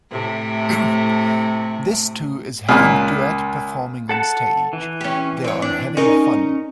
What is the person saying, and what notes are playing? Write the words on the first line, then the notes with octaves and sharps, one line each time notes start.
This two is having duet performing on stage, They are having fun.
A2 C3 A3
C#2 A#2
A4 F#5 A5
E3
C#4 G4
C4 C#5
D4
C#4 D#4 A#4